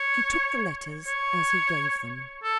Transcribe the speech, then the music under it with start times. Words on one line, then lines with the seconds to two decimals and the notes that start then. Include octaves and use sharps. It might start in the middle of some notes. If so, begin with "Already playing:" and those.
She took the letters as he gave them.
Already playing: C#5
1.08 C#5
2.43 A4